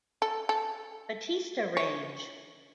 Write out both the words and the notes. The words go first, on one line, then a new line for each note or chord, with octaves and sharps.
Batista range.
A4
A4
C#5